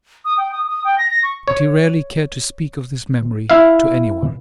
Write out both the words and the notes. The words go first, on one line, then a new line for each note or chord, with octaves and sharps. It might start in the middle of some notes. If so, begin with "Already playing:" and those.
But he rarely cared to speak of this memory to any one.
D#6
G5
D#6
D#6
G5
A#6
A#6
C#6
C#5
E4 E5 F5